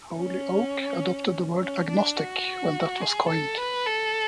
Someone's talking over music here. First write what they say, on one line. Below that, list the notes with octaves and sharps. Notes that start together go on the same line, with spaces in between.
Holyoake adopted the word "agnostic" when that was coined.
C#4
C#4
D4
F#4
G#4
A4
B4
A4